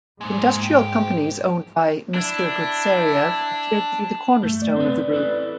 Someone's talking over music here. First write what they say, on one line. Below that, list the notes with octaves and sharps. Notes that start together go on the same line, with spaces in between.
Industrial companies owned by Mister Gutseriev appeared to be the cornerstone of the Group.
G#2 G#3 A#3
F#4 G5
D4 E4
G2 A3
D5
C4 B4
E4 A4 B4